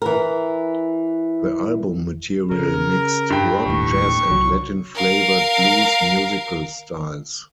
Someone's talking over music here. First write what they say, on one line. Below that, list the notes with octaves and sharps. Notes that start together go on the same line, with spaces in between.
The album material mixed rock, jazz and Latin-flavoured blues musical styles.
E3 A#4
C#3 A#4
G2 G5
E1 D#2 A2 C#6
C2 D3 F#3
A#4 F5